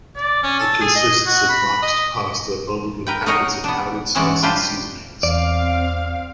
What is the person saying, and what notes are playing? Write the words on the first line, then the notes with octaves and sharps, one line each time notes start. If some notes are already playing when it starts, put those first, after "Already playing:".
It consists of boxed pasta bundled with packets of powdered sauce and seasonings.
D5
C#4
A4
G#4
D#5
F#4
B5
D#5
A#4 B4 G5
D#4 F#4 G#4 A#4 C#5 D#5
B3 D4
E3 G#3 C#4 F#4 D5
D4 F4 G4 B4 C5
E2 C4 D5 F5